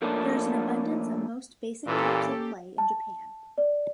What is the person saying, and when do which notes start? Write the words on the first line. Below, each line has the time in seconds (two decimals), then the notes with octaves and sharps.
There is an abundance of most basic types of clay in Japan.
0.02 F3 A3 A#3 C#4 D4 A4
1.87 A#2 E3 A#3 C#4 G4 A4
2.78 A5
3.58 D5